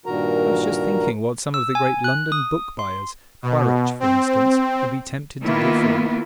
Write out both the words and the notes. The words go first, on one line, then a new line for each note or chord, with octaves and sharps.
I was just thinking what some of the great London book-buyers--Quaritch, for instance--would be tempted to give for it.
G2 A#2 D#3 F#4 A#4 A#5
E6
G#5
F#6
D#6
C6
B2
C4
D#3 A#3 B3 E4 F4